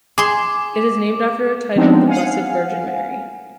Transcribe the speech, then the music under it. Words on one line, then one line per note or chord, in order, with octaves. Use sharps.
It is named after a title of the Blessed Virgin Mary.
G#4 C6 D6
F3 G#3 B3 C4 D4 D#4
F5 F#5 G#5